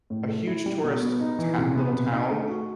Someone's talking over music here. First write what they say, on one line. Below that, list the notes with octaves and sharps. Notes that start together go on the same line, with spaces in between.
a huge tourist, eh, tow little town,
A2
A3
E4
G3
B2
B3
D#4
E3
C3
B3
C3
D#4
A3
F#4